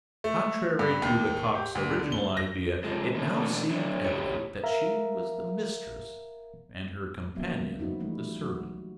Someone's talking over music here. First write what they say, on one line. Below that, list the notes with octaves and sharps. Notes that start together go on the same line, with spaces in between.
Contrary to Lecoq's original idea, it now seemed evident that she was the mistress, and her companion the servant.
A3
G2
D#2
G4
D2
D3
G7
A#6
C3 F3 G#3
D#3 A3 A#3 D4 D#4
B2 E3 A3 D4 F#4
F#3 D4 E4
E4 F#4 G4 C#5
A#4 E5 F5 A#5
F3 F#3 A#3 B3 C#4 E5
C4 D#4 E4 F#4
E3 F3 G3 A3 E4
F#3 G#3 F#4